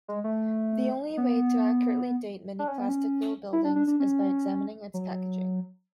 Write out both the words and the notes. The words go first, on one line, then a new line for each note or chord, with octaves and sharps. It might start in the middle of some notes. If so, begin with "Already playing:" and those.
The only way to accurately date many Plasticville buildings is by examining its packaging.
G#3
A3
B3
D4
C#4
B3
C#4
E4
D4
D4
D4
C#4
F#3